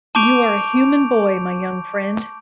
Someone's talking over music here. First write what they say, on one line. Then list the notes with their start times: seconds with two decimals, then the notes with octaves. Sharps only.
You are a human boy, my young friend.
0.15 A5 C#6 D6 G6 D7 F7